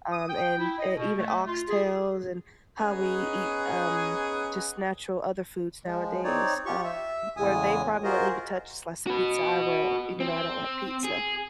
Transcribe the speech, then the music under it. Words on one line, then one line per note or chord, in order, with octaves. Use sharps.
um, and, uh, even oxtails and how we eat, um, just natural other foods nowadays, um, where they probably wouldn't even touch a slice of pizza, I will, even though I don't like pizza,
D#6
G5
E4
D#5
B2
A3
F4
G#4
B3 C#4 D#4 G#4
F3 G#3
C4 D#4 C#5 D5
F4 G4 C#6
E5
E2 A2 C#3 G#3 G#5 D#6
F4 F#4 G#4 A#4 C5 D#5
F#4 B4
C4
G#4